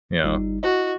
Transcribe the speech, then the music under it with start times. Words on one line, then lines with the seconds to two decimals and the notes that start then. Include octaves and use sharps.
you know
0.24 G1 G3 D#4
0.63 E4 F#4 D#5